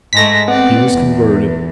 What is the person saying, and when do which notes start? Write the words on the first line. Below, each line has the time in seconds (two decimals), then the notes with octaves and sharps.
He was converted.
0.13 G#2 G#3 A3 A#6 B6
0.48 B3 C4 D5 F#5
0.91 E2